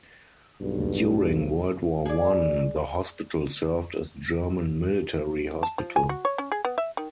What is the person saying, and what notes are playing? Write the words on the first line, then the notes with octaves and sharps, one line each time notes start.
During World War One, the Hospital served as German military hospital.
B1 G2
G#4 D5
A5
F3
G#5
F#4
C#5
C#4
G#4
B3
E5
D#3